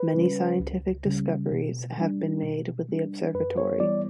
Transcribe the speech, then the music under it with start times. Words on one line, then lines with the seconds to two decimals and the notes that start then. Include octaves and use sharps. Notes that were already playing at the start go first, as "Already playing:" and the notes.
Many scientific discoveries have been made with the observatory.
Already playing: B4
0.14 C#3 G3 C#4
0.60 C#2
1.05 C#3 G3 C#4
1.51 B2
1.98 G3 D4
2.43 B2
2.89 G3 D4
3.34 F#2 B4
3.58 C#5
3.80 E3 G3 B3 E4 D5